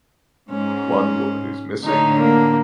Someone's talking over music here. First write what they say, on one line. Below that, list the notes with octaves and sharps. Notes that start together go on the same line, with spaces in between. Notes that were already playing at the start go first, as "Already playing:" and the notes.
One woman is missing.
G#2 C#4
A2 D3 D#4 C#5
A#3